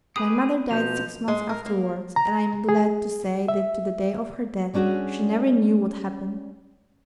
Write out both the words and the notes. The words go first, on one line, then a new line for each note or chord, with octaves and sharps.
My mother died six months afterwards, and I am glad to say that to the day of her death she never knew what happened.
G4 G#4 B4 D#6
B2 F3 G6 F7
G#3
A#4
A#3
A#5
G#4
E5
G3 C#4 D4 F#4 G#4